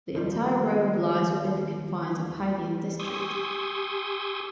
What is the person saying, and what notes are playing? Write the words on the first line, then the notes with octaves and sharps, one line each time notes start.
The entire road lies within the confines of Haidian District.
D#2 F3 G3
G4 G#5 C6 C#6 D#6 E6